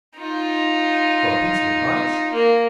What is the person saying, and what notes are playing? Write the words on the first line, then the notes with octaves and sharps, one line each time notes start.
For a piece of advice!
D#4 F4
A#3